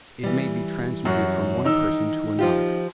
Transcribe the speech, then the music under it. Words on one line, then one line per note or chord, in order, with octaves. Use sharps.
It may be transmitted from one person to another.
E3 G3
F#2 F#4
D#3 D#4 E6
F3 F4 G4